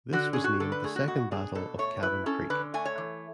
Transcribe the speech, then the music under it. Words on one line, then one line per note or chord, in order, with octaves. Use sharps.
This was named the Second Battle of Cabin Creek.
D3 F#4
C#4 G#4
F#4
D3 A4
B4
A3 G#4
F#4
B2 F#4
D4 G#4
B2 A4
A3 C#5
E4 B4
C#4 A4
D3 B4
A3 G#5
C#5
E3